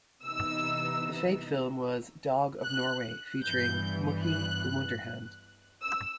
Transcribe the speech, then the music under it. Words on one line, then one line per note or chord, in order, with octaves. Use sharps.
The fake film was "Dog of Norway" featuring "Muki the Wonder Hound".
C3 E3 B3 D#4 E6
F#6
G2 E3 B3 G6
F#6
E6